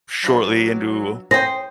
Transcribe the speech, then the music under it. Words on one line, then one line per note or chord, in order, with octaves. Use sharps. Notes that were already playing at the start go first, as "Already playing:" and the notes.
shortly into
B2 F3 F#3 D4
G#4 C5 G5 A#6